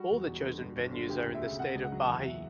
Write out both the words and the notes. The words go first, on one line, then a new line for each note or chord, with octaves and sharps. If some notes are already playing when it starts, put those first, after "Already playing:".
All the chosen venues are in the state of Bahia.
Already playing: G3 F#4
E2
E1
D3
G2
G1
D3
D2 G4
E1
E5
C#3
C#3 F#5
C#2
F#5
F#3
E2 F#5
E5